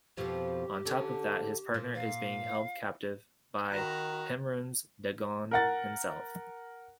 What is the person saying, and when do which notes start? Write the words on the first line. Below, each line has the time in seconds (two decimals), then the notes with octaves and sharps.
On top of that, his partner is being held captive by Mehrunes Dagon himself.
0.17 F2 B2 F3 G4
0.86 D3 C#4
1.74 A#2
1.95 F5
3.72 D#3 F#4 A#5 B5 F#6 A#6 E7
5.51 A#4 F#5 A6